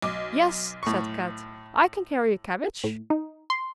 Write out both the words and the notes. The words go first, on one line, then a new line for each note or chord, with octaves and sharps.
"Yes," said Kat, "I can carry a cabbage."
B1 D6
A2 C#6
A2
D#4
C6